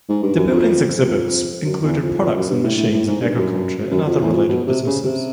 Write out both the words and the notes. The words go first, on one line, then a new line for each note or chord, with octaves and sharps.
The building's exhibits included products and machines in agriculture and other related businesses.
G#2
G2
F#2
F2
F2
F#2
E2
F2
F2
F#2
G2
A2
A2
A2
G#2
G2
F#2
F#2
F2
E2
F2
B2
C3
C#3
C3